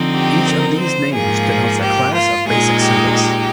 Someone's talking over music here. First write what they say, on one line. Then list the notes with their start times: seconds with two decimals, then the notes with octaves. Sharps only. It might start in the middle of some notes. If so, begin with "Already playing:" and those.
Each of these names denotes a class of basic symbols.
Already playing: D3 F3 C4 D#4
0.13 G4
0.47 A#4
0.80 C5
1.13 G#2 F3 A#3 G#4
1.80 G4
2.13 F4
2.47 A#2 G#3 D#4 G#4
2.80 G4
3.13 G4